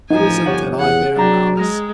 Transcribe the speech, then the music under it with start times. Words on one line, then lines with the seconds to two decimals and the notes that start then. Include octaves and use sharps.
It isn't that I bear malice.
0.11 A1 F3 D#4 G#5
0.46 G1 G4 C#5 F#5
0.79 E2 G#4 F#5
1.17 F#3 D4 G5 A#5 A6
1.57 G#3 F6 A#6